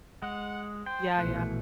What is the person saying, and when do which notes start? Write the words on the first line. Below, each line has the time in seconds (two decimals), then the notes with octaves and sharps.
Yeah, yeah.
0.22 G#3 F#5
0.86 C5 G5
1.18 A#1 B2 E3 A3 F#6